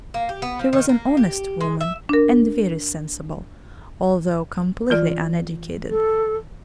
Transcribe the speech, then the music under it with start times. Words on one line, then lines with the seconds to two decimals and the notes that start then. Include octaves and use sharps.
She was an honest woman, and very sensible, although completely uneducated.
0.14 A#3
0.29 G4
0.42 B3
0.59 F3
0.73 D#3
0.89 A#3
1.17 G4
1.61 G#3
1.80 E5
2.09 D4 A#4
4.90 E3 F4 D5
5.90 A4